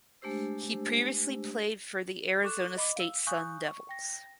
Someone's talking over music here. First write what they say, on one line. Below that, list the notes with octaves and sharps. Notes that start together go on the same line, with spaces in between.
He previously played for the Arizona State Sun Devils.
G#3 A3 D4 G4 C5 E6
A4 C#6 D6 F#6 E7
D#5 B5 D6
F5 E6
F5 G#5 C#6 D#6 F#6 G6
C#6
G5 A#6